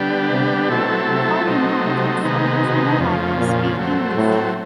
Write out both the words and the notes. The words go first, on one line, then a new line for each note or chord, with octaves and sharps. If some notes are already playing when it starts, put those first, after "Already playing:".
All inhabitants of the Channel Islands speak English.
Already playing: D3 G3 B3 D4 G4
C3
B2 F#3 A3 C4 E4 A4
C3
B2 F#3 A3 C4 D#4
C3
C3 D#3 G#3 B3 D#4
B2
F2 C#3 F3
A#2
F#3 A3 C4
A2